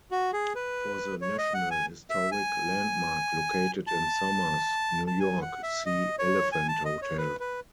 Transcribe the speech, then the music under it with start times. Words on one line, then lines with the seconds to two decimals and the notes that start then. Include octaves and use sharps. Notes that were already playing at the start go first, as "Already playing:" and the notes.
For the National Historic Landmark located in Somers, New York, see Elephant Hotel.
0.11 F#4
0.33 G#4
0.55 B4
1.22 C#5
1.38 D#5
1.54 F#5
1.71 G#5
2.10 E5
2.32 G#5
3.87 A5
5.07 A5
5.20 G#5
5.42 F#5
5.63 E5
5.86 D#5
6.19 C#5
6.52 G#5
6.68 A5
6.85 D#5
7.02 C#5
7.18 B4
7.40 B4